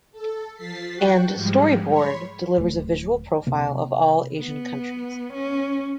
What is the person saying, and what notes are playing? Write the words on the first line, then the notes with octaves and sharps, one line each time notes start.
And "Story Board" delivers a visual profile of all Asian countries.
A4
F3 A6 B6 C7
F#4 F#5 G5
G#2 F3 G3 G#3
C#5 B5 C6
D1 A3
C3 A#3
B3
C#4